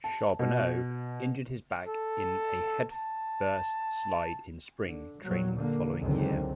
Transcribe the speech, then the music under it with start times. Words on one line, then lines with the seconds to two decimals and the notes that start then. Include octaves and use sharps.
Charboneau injured his back in a headfirst slide in spring training the following year.
0.04 A5
0.39 B2
1.87 A4
2.92 A5
4.83 D3
5.24 A#2 F#3 G3
5.59 D3 A#3
6.01 C#2 F#2 D3 D#3 F#3 C4